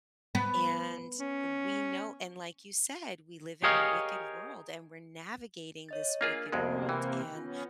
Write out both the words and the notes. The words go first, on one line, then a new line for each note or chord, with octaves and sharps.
and we know and like you said, we live in a wicked world and we're navigating this wicked world and
B3
C#4
G4 G#4 A#4 C#5 D#5 F5
C#5 D#5 A6
A#3 D4 F4 G#4 A#4 F5
C2 F2 C3 G#3 A#3 B3 F#4
E3 G5
B3 C#4 F4